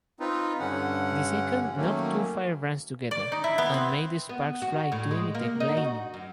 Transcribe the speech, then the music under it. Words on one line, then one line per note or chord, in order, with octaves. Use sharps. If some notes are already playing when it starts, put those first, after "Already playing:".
The second knocked two firebrands together and made the sparks fly to imitate lightning.
C4 D#4 F4 B4
G2 D3 C#4 F#5
D#3 F#3 A3 A#3 C#4
D5
D#4
E4
B3
C4
B3
F#4
A2
G#3
A#3
D#4
F#4
F#2